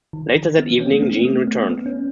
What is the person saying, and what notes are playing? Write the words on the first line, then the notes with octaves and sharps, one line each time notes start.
Later that evening, Jean returns.
D#3
E3
B3
C#4
A3
B3
A3
B3
B3
C#4